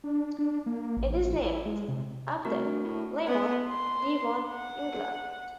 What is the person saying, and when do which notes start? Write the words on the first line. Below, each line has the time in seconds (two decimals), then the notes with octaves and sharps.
It is named after Plymouth, Devon, England.
0.04 D4
0.39 D4
0.66 A#3
0.97 A1
1.20 A1
1.43 E4
1.65 G#3
1.88 C3
2.45 C2 A3 F#4 A#4
2.65 D2
2.85 A2
3.28 B3
3.68 C6
4.49 F#5